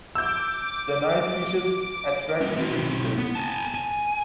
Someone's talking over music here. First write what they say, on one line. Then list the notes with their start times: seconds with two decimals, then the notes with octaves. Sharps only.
The nice beaches attract many visitors.
0.15 D6 E6 G6
2.41 G3 C#4
2.57 C4 F#4
2.72 B1 E4
3.18 B3
3.35 G#5 A5
3.75 G#5